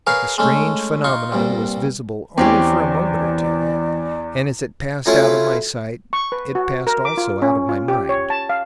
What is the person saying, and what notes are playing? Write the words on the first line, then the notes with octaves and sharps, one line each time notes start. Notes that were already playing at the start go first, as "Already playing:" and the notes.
The strange phenomenon was visible only for a moment or two, and as it passed out of my sight it passed also out of my mind.
G#4 A#4 B4 C#5 F5
G#3 A3 C#4
D#4 F4 C#6
C2 G2 A#2
E2 E3 C4 C#4 G4 D5
F#3 A3 C#4 E4 F4
C#6
B4
F#4
A#4
D6
F4
C#4
F4
G4
C#5
A5
F5